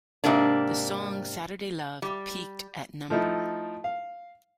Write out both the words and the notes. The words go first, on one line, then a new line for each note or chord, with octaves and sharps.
The song "Saturday Love" peaked at No.
G#2 C3 A#3 D4
G3
F3 A3 D#4 E4
F5